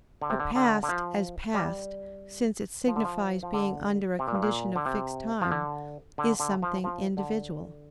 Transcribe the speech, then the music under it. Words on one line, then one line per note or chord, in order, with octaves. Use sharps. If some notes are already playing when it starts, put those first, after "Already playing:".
For past, as past, since it signifies being under a condition of fixed time, is something individual.
D3
C3
D3
D3
D3
F3
G3
F3
D3
F3
F3
D3
C3
A#2
G2
A#2
D3
C3
F3
D3
D3
D3
F3
F3
D3